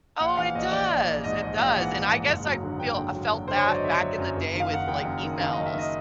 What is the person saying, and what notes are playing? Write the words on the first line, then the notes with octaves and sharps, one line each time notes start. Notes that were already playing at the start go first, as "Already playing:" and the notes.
Oh, it does, it does, and I guess I feel I felt that back in the day with, like, emails,
A#1 F#5
E3 F5
A#1 D#5
E3 D5
A#1
A#1
G#2 D#5
A#1 D#5
A#1 F5
E3 F#5
A#1
G#2
F#1
F#3
D3
D3 G5
D3
F#3
F#3
D3 C5
C#5
F#3 D5
D#5
D3 E5
F#3
F#2
F#1
D#3
F5
D#3 F#5
F#1 G5
F#2
D#3
D#3 F5
F#2 D#5
E5
D#3 D#5